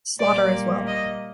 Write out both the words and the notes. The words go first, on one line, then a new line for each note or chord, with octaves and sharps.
Slaughter as well.
A#2 G3 A#3 D5
D#5